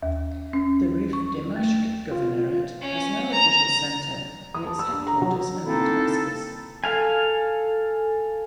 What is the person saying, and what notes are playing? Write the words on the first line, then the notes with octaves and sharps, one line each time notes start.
The Rif Dimashq Governorate has no official centre and its headquarters are in Damascus.
D#2
C#4
C#6
A3
F4
C#4
A#5
D#6
A5
E6
D4
A#5
F#3
A#3 C4 D#4 E4 A4
A4 F5 G#5